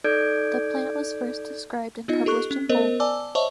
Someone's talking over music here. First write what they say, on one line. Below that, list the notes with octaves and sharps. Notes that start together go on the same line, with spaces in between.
The plant was first described and published in Bull.
D#4 A4 D5 G6 G#6 D7
B3 D#4 F4 D#5
G4 A4 C#6 F#6
C#4
B3 A#4 C5 D#5
D5 G#5 A5 D6 E6
C5 C#5 D#5 E5 A5 C#6